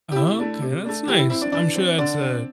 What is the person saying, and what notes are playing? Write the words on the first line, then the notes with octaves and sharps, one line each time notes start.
Okay, that's nice. I'm sure that's, uh,
G4
C3 E4
A3 D4
C3
A3 D4
E3 G4
E4
C4 E4
D4
E3 D4
C4
D3 D4
C4